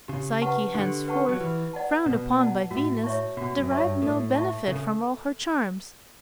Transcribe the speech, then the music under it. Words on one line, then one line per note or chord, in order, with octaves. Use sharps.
Psyche, henceforth frowned upon by Venus, derived no benefit from all her charms.
C#3 G4
B4 F#5 A5 C#6
D3 G4
B4 F#5 A5 C#6
F#3
E3 B4
D5 F#5 A5
B2 B4
D5 F#5 A5
A2 F#4
C#5 E5 A5 C#6
B2 F#4
F#2
C#5 E5 A5 C#6
G2
A2 A4
E5 A5 C#6
C#3 A4